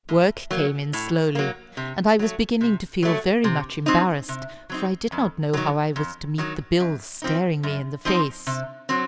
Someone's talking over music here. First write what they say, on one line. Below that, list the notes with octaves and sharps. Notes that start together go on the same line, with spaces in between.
Work came in slowly, and I was beginning to feel very much embarrassed, for I did not know how I was to meet the bills staring me in the face.
A2
F#3 A#3
A2
F#3 A#3
C3
F#3 A3
C3
F#3 A3
C3
F#3 C4 D#4
C3
F#3 C4 D#4
F2
D#3 F#3
F2
D#3 F#3
F#2
F3 C4 D#4
F#2
F3 C4 D#4
C3
F#3 C4